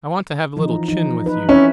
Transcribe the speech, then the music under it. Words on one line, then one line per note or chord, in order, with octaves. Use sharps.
I want to have a little chin with you.
E3 F3 D#4
F3 D#4
D#4 B4
C4 C#4 E4 E5